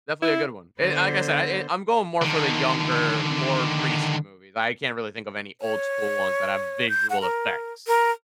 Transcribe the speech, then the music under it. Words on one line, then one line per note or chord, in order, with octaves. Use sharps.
It's definitely a good one, and like I said, I I'm going more for the younger, more recent movies, I can't really think of any old-school ones that have visual effects,
E4
D3 B3 C5
D3 D#3
C#5
G6
F#5
A#4
A#4